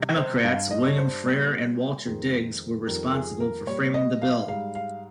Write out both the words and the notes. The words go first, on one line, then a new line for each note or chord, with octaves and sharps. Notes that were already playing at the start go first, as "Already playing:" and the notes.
Democrats William Frere and Walter Digges were responsible for framing the bill.
Already playing: C3 G3
C5
G2 G3 F5
D#5
C#5
C5
A#2 G3
F2 D#3 G#3
F2 D#3 G3 A#4
G#4
A#4
A#2 G3 C#5
D#5
F5
G#2 G3 F5
F5